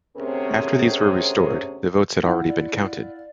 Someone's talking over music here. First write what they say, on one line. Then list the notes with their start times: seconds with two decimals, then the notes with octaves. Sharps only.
After these were restored, the votes had already been counted.
0.17 D2 C3 C4 C#4 G#4 A#4
2.23 E4 F5 F#5
2.48 D5